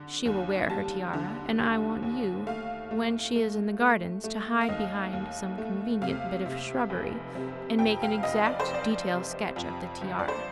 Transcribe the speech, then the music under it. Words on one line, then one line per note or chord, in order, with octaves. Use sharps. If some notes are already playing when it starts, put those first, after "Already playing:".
She will wear her tiara, and I want you when she is in the gardens to hide behind some convenient bit of shrubbery and make an exact detail sketch of the tiara.
Already playing: D3
D#2
G3 A5
D3
D#2
D#2
A3 F5
A3
A3
A3
A3
F5
D#2 D#5
D#2
A3
C3 F5
C3
F1
C3
F2 G5
F5
F1 D#5
D5
C5
F1
D5
C3
F2
G1
D5
C5